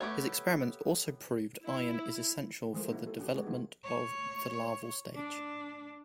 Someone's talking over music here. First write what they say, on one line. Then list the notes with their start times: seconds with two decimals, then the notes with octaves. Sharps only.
His experiments also proved iron is essential for the development of the larval stage.
0.01 A3 B3 G4 C#5
1.62 E4
2.73 E3 F3 G#3 A3 A#4 C5
2.89 A#3 D#4 E4
3.06 G4 A4
3.18 F#3 C#4 G4
3.35 G#3 B3 G4 C#5
3.47 E3 A3 A#3 D#4 F4
3.84 C#5
5.15 D4